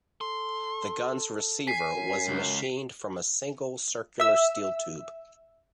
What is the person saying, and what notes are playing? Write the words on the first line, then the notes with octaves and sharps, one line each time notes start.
The gun's receiver was machined from a single circular steel tube.
A4 C6
G#5 B6 C7
F#2
C#2
E5 E6